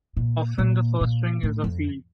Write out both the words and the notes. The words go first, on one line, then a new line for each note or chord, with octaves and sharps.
Often the first ring is a field.
A#2
A#2
A#2
A2
F2